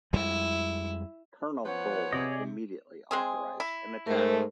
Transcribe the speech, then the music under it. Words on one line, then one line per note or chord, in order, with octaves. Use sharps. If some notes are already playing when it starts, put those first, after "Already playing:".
Colonel Gold immediately authorised an attack.
F2 G3 G#3 E4
F3 B3 C#5 F#5
C3 G#4 D5 D#5
G#3 C4 G#4
E4
G#2 A3 A#4 C5